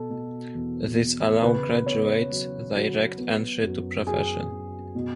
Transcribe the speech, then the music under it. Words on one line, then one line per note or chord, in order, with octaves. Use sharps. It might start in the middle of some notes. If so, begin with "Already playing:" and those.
These allow graduates direct entry to the profession.
Already playing: B2 A4
B2
E2
B2
C#3 B4
B3 C#5
F#3
F#3
B3
F#2
F#2 G#4
F#2
B2